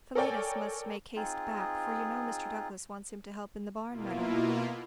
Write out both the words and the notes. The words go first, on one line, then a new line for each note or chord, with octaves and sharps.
Philetus must make haste back, for you know Mr. Douglass wants him to help in the barn meadow.
A4 A#4 C#5 D5 G5 G#5
C4 D#4 F4 G#4
B2 A#3 E4 F4